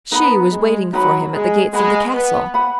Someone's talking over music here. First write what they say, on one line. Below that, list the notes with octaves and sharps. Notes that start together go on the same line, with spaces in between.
She was waiting for him at the gates of the castle.
B3 D#4 B4 F#5 B5
G#3
F#3 D#4 B4 F#5 B5
G#3
G#3 B4 F#5 B5
B3
B4 F#5 B5